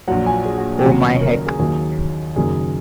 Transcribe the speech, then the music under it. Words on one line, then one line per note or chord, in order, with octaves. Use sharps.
Oh my Heck!
A#1 A#2 F#3 F#5
G#5
G#4
F#4
D#2 C#3 F#3 F#4
C#5
A#4
A#4
G#4
D#2 D#3 F#3 G#4
F#1 F#2 D#3 F#3 G#4